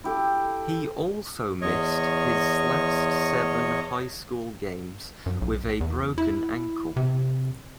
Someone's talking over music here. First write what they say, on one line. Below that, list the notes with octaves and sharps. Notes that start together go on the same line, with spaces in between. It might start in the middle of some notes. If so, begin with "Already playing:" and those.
He also missed his last seven high school games with a broken ankle.
E4 G4 A4
E2 C#5 D#5 C#6
F#2
B1
E2
E4
C3